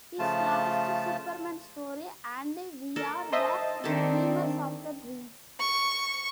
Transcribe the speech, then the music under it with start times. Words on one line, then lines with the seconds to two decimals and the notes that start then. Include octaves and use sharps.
His last Superman story, ...And We Are the Dreamers of the Dreams!
0.19 C#3 F3 A3 F4 A5
2.96 D4 A4 A#4
3.32 C5 D#5 E5 A5
3.84 D#3 C4 D4 G4 A4
5.60 C#6